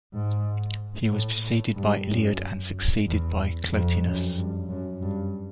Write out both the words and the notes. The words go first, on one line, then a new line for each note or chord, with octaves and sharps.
He was preceded by Eliud and succeeded by Clotenus.
G#2
A2
A2
G2
F#2
E2
F2
F#2
G2
F#2
G2